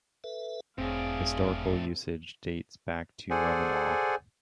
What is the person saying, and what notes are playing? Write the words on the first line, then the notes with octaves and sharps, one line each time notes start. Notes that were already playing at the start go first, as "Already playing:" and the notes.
Historical usage dates back to Roman Law.
A4 B4 E5
F#1 F2 A2 C4 D4 G#4 F5
G#4 A4 C5 D5 F#5 G#5